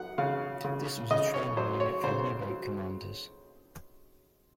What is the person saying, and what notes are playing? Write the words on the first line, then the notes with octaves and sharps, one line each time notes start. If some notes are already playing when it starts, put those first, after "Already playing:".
This was a training unit for U-boat commanders.
Already playing: F#2 F#5
C#3 F5
C#3
C#3 D#5
C#5
F#2 C5
C#5
C#3 C5
F#3